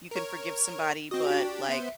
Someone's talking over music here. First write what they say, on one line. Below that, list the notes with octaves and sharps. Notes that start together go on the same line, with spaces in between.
You can forgive somebody, but, like,
A#4 C#5
C4 F#4 D#5
D4 G4
B3 C5 E5